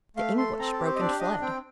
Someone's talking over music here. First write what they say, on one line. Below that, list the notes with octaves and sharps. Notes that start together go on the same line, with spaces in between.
The English broke and fled.
A3 F5
A4 C6
C4 A#5
A5
G4
C5
D#5
D4 D5
D4 D#5
C4 G5